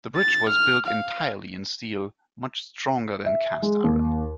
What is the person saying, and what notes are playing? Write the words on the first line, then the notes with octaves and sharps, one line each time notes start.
The bridge was built entirely in steel, much stronger than cast iron.
A6
F6
F5
E5
G#3
D#2